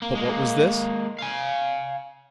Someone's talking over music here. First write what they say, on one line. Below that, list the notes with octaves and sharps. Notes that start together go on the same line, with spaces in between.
But what was this?
A#3
G#3 A#3
F5 G#5